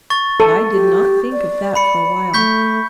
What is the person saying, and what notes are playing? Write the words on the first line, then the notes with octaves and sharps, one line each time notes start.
But I did not think of that for a while.
C#6 A6
A4
G4
D5
B5 C#7
A3 C#6 G6 B6